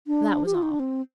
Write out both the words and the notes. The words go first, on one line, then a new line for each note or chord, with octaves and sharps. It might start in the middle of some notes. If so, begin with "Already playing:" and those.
That was all.
D4
G4
F4
D#4
D4
C4